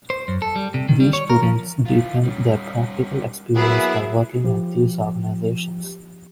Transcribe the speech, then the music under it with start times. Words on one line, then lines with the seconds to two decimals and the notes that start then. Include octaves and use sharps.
These students deepen their practical experience by working at these organizations.
0.10 C5
0.28 F#2
0.42 A4
0.56 G3
0.74 C3
0.89 D#3
1.00 G3
1.13 C#5
1.30 A#4
1.43 F3
1.86 E3 F4
2.23 G3 C#4
3.56 F#3 A#3 B3 E4 G#4
4.45 F3 G4